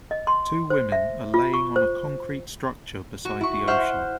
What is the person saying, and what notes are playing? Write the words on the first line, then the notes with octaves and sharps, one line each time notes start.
Two women are laying on a concrete structure beside the ocean.
D#5
C6
C5
E5
F4
C#6
C5
F#4
E4 C#6
C5 E5 F#5 F6 G6